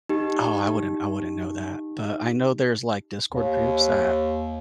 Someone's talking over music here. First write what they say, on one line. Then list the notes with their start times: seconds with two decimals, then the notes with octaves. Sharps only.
Oh, I wouldn't I wouldn't know that, but I know there's, like, Discord groups that
0.09 D#4 G4
3.33 D#2